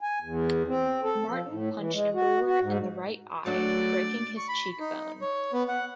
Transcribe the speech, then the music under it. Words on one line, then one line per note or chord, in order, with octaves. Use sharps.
Martin punched Brewer in the right eye, breaking his cheekbone.
G#5
E2
C4
A4
F3
A2
E3
G#3
F#4
F#4
G#2
F#3 A3 D4 F#4 D5
C#6
B5
D#4
C#5
B3
F#5